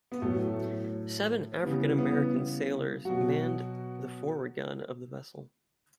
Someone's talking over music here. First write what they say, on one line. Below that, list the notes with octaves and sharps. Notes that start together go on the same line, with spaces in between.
Seven African-American sailors manned the forward gun of the vessel.
B3
A2 F#3 A3
C#3 E3 G3 B3
B3
B2 F#3 F#4